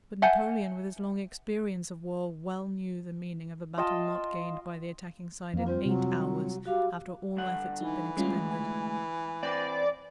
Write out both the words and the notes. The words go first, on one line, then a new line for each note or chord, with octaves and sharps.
But Napoleon with his long experience of war well knew the meaning of a battle not gained by the attacking side in eight hours, after all efforts had been expended.
E5 F#5 G#5 A5 G6
F4 D#5 G5 A5
F2 A#3
G3 C4 F4 C5
C3 F#3
G3 F#4 F5 D6
G2 D3 F#5
E3 D#4
D2 G3 G#3 C#4 F4
G#5
C4 B4 D5